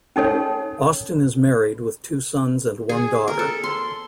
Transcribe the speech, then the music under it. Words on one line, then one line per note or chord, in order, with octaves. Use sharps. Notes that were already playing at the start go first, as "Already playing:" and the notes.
Austin is married with two sons and one daughter.
C#4 D#4 A4 C#5
G#4
A#4
A4
C6